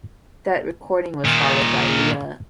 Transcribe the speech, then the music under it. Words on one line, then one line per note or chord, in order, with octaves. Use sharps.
That recording was followed by Lea...
A#2 D#3